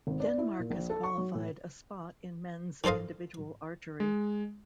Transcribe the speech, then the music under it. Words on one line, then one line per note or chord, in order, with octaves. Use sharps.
Denmark has qualified a spot in men's individual archery.
G#1
D5
E4
A#2
A#1
A4
C#6
F#3
A2
D#3 A4 C5 D#5 F5
G#3